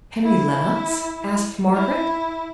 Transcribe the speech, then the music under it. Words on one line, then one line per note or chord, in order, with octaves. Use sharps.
Henry Lennox?' asked Margaret.
E4
E4